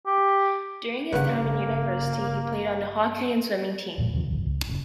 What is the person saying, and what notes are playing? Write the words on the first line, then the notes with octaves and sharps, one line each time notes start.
During his time in University, he played on the hockey and swimming team.
G4
G#1 G2 C#3 A#3 B4 F#5
E1 A#2 F3 G#3
D#2 C3 F3
G#1 D2 G2
C#2
F1 A#2 C#3